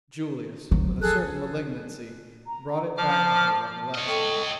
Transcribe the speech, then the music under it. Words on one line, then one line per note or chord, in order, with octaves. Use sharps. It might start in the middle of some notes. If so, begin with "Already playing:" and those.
Julius, with a certain malignancy, brought it back to her recollection.
F3 F#3
G#4 A4 F#6
A#5
F3 A5 D6 F6
C#5 D#5
A4 G5 C#6